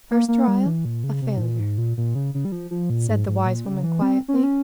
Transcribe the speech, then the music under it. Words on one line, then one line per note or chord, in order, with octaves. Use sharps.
"First trial a failure," said the wise woman quietly.
A#3
A#3
G3
E3
A#2
C#3
C3
G#2
A#2
G#2
A#2
A#2
C#3
C#3
G3
F3
F3
A#2
G#2
G#2
A#2
C#3
E3
C4
C#4
C4
C#4